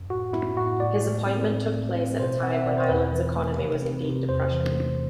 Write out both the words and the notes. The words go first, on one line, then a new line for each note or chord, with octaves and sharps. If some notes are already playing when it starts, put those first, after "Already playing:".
His appointment took place at a time when Ireland's economy was in deep depression.
Already playing: F#2
A2 F#4
B3 E4
A2 F#4
A2 D5
A3
C4
A2
A3
C4
B2 C5
C4 F#5
E5
B2 D5
C5
E2 B4
E3
A3
C3
C4
C3
E2 C5
E3
A3